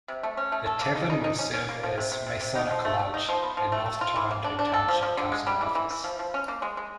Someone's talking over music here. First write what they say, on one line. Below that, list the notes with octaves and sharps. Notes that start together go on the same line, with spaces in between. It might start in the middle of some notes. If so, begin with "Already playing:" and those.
The tavern would serve as Masonic Lodge and North Toronto township council office.
C3
A3
C#4
A3
A4
A#3
D#4
D#4
D#4
C#4
C#4
A#3
F3
C3
C3
C3
C3
D#4
F3
A3
A3
D#4
F3
B3
F3
A3
A3
F4
E3
A#3
D4
D4
A4
F3
F3
D3
G#3
G3
E3
E3
E3
F3
F3
C#4
A#3
G#3
G#3